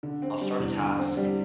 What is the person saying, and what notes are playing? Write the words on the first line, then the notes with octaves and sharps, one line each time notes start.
I'll start a task,
D3
C4
G3
E2
D3
C4
G3